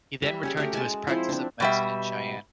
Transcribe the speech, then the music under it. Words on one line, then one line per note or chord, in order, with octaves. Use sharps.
He then returned to his practice of medicine in Cheyenne.
G3 E5
C#4 G4 G#4
A3 F#4 G4 A#4
G#3 G#5 A5
F3 C4 E4 C5
C4 D4
B2 G3 E5